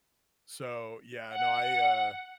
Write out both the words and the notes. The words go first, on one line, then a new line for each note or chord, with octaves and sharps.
So yeah. No, I, uh,
F#5